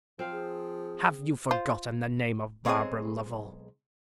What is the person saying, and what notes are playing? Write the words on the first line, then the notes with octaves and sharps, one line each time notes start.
"Have you forgotten the name of Barbara Lovel?"
F3 C4 F5
G#4
F4 C5
B1 G#3 C4 G#4 C#5 D#5